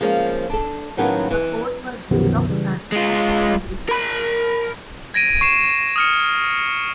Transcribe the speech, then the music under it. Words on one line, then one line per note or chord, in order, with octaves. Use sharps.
The fort was built of sandstone and brick.
F3 G#3 A#3 C#4
D4 A4
A2 D#3 F#3 A#3 B3 C#4
E3
C2 F#2 B2 D#3 F3 B3
C#3 E3 G3
G#3 F4
A#4 B5
G#6 A#6 D7 D#7
C#6 C7 E7
D#6 F6 C#7